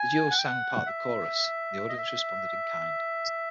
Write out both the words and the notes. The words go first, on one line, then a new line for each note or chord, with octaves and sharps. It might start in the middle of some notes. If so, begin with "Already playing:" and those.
The duo sang part of the chorus, and the audience responded in kind.
Already playing: G#5
F#5
G5
F#5
E5
D#5
E5